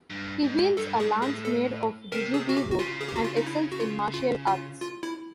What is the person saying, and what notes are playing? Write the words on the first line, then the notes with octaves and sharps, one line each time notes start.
He wields a lance made of jujube wood and excels in martial arts.
G2
G#2
G2 A4
A2
G#2 G#4
A2 G#4
A4
C3 A#4
G#4
F#4
G4
F#4
C#3 F4
G#4
G4
F#4
F4
D#4
E4
F#4
F4
F4
F4
F4
E4